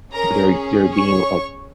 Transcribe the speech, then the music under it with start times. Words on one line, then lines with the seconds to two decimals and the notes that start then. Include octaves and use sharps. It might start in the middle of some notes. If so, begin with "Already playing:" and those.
They're they're being, like,
0.13 C#4 G#4 A#4 A#5
0.94 C#5 C#6